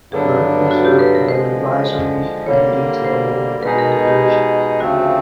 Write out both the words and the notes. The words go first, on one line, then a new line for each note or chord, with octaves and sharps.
Murphy served on an advisory committee to the Law Reform Commission.
G2 D3 F#3 B3 D4 G#4
F#4
G4
B4
A#4
D3 F3 G#3 C5
D3 G3 A#3 C#5
C5
B2 G#3 B3 D#4 G#4 B4
A#4
A4
G4
D2 C#3 F3 A3 C4 F#4